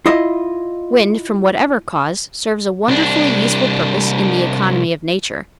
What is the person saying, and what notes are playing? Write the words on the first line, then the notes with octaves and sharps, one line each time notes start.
Wind from whatever cause serves a wonderfully useful purpose in the economy of nature.
E4 F4 D#5
C2 D4